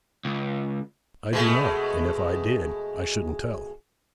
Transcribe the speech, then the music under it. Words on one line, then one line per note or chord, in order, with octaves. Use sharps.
'I do not; and if I did I shouldn't tell.'
C#2
B2 G#3 A3